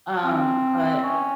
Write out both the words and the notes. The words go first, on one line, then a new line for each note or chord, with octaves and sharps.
um, but
C4
C#4